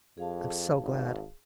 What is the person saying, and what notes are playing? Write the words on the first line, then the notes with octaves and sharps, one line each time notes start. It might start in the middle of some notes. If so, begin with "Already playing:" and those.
I'm so glad.
F2 G#4 F5 A5
G#1